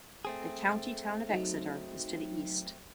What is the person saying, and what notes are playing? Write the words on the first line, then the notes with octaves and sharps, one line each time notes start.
The county town of Exeter is to the east.
A3 C4 G#4
F#3 D#4